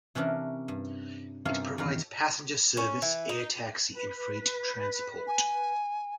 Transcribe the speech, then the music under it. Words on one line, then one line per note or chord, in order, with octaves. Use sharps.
It provides passenger service, air taxi, and freight transport.
C3 E3 C#4 D4 A#4
G2
G2 C3 A#3 C#4 F4 F5
E2 D#3 A#4 F5
C#4
E3
D#4
B4
G#5